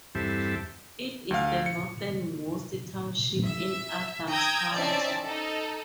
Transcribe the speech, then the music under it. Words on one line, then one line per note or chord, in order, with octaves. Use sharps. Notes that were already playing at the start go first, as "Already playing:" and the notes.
It is the northernmost township in Adams County.
E2 G2 C4 G4 A4 E5
D2 F5
C#7
E5
G5 A#5 D#6 E6 G6 G#6
C4 C#4 D#4 D5 E5 A5
D#4 A4